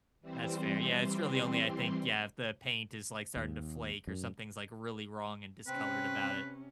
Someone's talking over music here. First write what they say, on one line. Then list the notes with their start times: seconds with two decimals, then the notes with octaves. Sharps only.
That's fair. Yeah, it's really only, I think, yeah, if the paint is, like, starting to flake or something's, like, really wrong and discolored about it.
0.21 E3 G3 C4 C5
3.37 D#2
4.07 F#2
5.67 C3 C4 C#4 B4